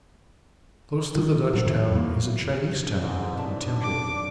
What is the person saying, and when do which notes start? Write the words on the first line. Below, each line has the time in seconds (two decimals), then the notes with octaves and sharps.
Close to the Dutch town is a Chinese town and temple.
1.16 D#3
1.53 A2 F3 F#3
1.65 F2 A2 D#3 E3
1.91 E2 F#3 A3 A#3
3.01 E2 G#2 B2 D#3 C4
3.37 D#2 C3 F#3 D4 A5
3.81 D6